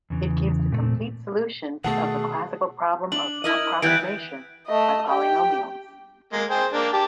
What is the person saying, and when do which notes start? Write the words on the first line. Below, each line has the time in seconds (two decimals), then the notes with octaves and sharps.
It gives the complete solution of the classical problem of approximation by polynomials.
0.10 E2 C#3 E3
0.72 A#2 A3 C4
1.84 B2 D#3 A3 G#4 F#5 A5 C7
3.12 D4 F#7
3.44 E4 A#4 D#5
3.82 E3 G3 B3 F#6 G6 D7
4.67 A3 D#5
5.08 G4 G5
6.33 G#3 A#3
6.50 G#4 C5 G5
6.73 A#3 D4
6.93 G4 A5